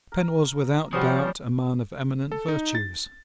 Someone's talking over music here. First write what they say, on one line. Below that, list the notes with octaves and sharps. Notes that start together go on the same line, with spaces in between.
Penn was without doubt a man of eminent virtues.
A#4
F3 G3 C#4 F#4 C5 D#6
A4
D#4
A6